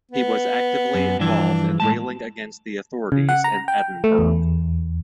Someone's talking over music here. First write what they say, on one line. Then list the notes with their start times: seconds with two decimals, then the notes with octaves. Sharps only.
He was actively involved in railing against the authorities in Edinburgh.
0.11 B3
0.94 F#2
1.19 G2 E3 F3 D4
1.80 A2 G#3 A5
3.12 C#3
3.29 F#5
3.44 A#5
3.68 G5
4.04 A3
4.18 E2